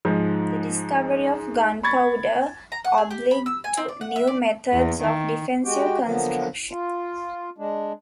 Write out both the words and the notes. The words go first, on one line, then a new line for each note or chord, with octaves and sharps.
The discovery of gunpowder obliged to new methods of defensive construction.
G#2 F3 G#3
B5 C#6 G#6 A6
A#5
F#5
G#4
G4
B5
E6
G#5
C4
D5
F#5
E5
D5
E2
D#3
G#3 F#4 G4 G5
D3 F3 F#3 A#3 B3
F4
G#3 D4